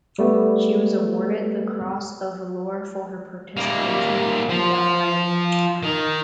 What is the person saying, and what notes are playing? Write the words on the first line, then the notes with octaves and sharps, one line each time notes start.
She was awarded the Cross of Valour for her participation in the Uprising.
G3 A3 B3
G3 A#3
F3
D#3